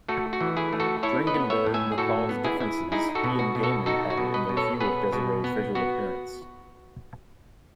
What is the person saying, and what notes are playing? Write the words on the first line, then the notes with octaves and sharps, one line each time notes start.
Dringenberg recalls differences he and Gaiman had in their view of Desire's visual appearance.
A3 F#4 A4
F#4
E3
E4 G#4
A3
F#4 A4
E4 A4 C#5
B4 D#5
B3
C#5 E5
A2
E5 G#5
G#4
A2 F#4 A4
B3
E4 G#4
E4
D#4 E4 G#4
F#4 A4
B2
F#4
B2
F#4 A4
D#4 F#4 A4
F#4
B2
B4 D#5
B2
A4 C#5
B3 G#4 B4
B2
B3
B3 F#4